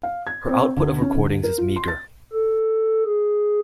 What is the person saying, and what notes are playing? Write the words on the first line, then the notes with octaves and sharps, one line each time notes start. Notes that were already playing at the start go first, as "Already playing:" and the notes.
Her output of recordings is meager.
F5
G#6
C4
D2
C#4
D2
A#4
F4
C6
A6
A4
G#4